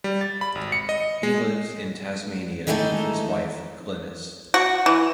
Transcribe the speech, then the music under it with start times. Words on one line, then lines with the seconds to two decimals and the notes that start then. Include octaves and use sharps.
He lives in Tasmania with his wife Glynis.
0.04 G3
0.21 A6
0.41 B5
0.55 G#1
0.72 C#7
0.89 D#5
1.23 G#3
2.67 D#3 E3 G#3 A3 D#4 A4
4.54 F#4
4.86 E3